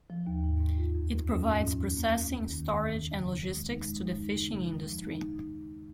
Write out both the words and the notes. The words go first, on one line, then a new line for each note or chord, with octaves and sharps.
It provides processing, storage, and logistics to the fishing industry.
F3
D#2
G#2
G#2
F4
F2
F2
C#4
G#2
F3
G#2
A#3
A#3
G#2
D#3
A#3
A#3
C#3
C#3
C#3
G#3
D#4
G#3
F#2
D#4
C#3
C#3
G#3
F3
D#4